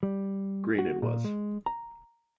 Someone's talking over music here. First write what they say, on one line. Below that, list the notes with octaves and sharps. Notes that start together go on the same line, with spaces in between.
Green, it was.
G3
F#4
A#2
G#3
A#5